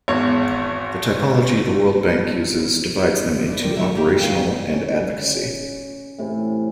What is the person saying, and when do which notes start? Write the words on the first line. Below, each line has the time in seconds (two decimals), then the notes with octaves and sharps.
The typology the World Bank uses divides them into Operational and Advocacy.
0.08 G#1 E2 C#5 C#6
3.47 D4 E4
3.61 D3 D#3 G3 C4
3.75 D2 A#2 D3 F#3 E5
3.95 D3 A#3 G4
4.09 E3
4.20 D4 F#4 B4 F5 G5 G#5
4.73 C#4
6.18 A2 C3 E3